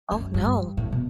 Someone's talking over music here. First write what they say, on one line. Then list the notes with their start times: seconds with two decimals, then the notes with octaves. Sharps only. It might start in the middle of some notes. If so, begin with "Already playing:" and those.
Oh, no.
0.12 F#2
0.34 G2
0.77 A2
0.92 B2